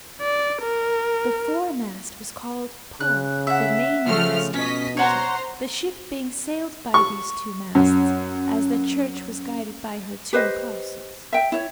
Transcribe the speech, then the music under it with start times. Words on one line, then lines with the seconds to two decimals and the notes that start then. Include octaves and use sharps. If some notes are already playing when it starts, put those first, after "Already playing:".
The foremast was called Paul, the mainmast Peter--the ship being sailed by these two masts, as the Church was guided by her two apostles.
0.21 D5
0.62 A#4
3.01 C#3 F#6
3.47 E5 F#5
4.06 C#3 F3 A3 F6
4.54 B2 C#4 D#5 B6
4.97 C5 C#5 F#5 A#5 C6
6.94 C#6
7.75 F#2
10.33 G4 B4 C5 D#5
11.33 E5 G5
11.52 E4 C#5